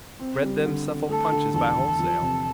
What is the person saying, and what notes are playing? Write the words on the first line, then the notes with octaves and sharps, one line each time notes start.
'Bred them Suffolk Punches by wholesale?'
C4
G3
D3
D3
A3 A4
D3
E2 A4
E2
F3
C3